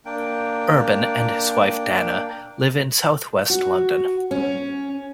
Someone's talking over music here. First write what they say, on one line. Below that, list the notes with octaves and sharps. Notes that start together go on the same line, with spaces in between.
Urban and his wife Dana live in south-west London.
A#3 D4 G5
F#4
C#4